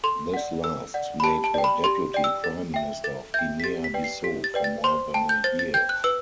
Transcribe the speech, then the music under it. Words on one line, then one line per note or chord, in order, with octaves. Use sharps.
This last made her Deputy Prime Minister of Guinea-Bissau for more than a year.
A4 C6
D5 F#5
A4 E6
D5 F#5
B5
G4 A5
A5
D5 G5
B5
G4 C6
D5 G5
E6
A4 A6
E5 G5
A4 A6
E5 G5 G6
B6
G4 A6
B6
B4 D5 G5
C7
G4 B6
A6
B4 D5 G5
A6
C5 C6
G5 A5
G6
C5 A6
A6
G5 G6
F#6
B4 E6